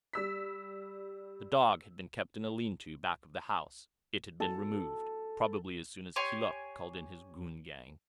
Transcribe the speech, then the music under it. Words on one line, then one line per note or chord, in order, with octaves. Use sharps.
The dog had been kept in a lean-to back of the house; it had been removed, probably as soon as Keeluk called in his goon-gang.
G3 E6 B6
A4
G4 C#5 G#5 C6